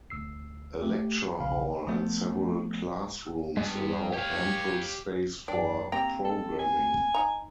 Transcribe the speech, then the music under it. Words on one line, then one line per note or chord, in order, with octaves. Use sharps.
A lecture hall and several classrooms allow ample space for programming.
D2 E6 C7
A3 G4
B1 C#3 F5 B5
F3 A3 B3
G2 G#3 B3
G4 C#5 F5
F#2 D4 D5 G5
A#3 C4 D4 G4 G5 A#5
A4
G#5
D#4 A#5